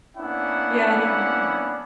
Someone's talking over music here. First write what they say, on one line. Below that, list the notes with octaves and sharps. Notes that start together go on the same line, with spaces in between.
Yeah, I don't know.
A#3 B3 C#4 D4 E4 F#5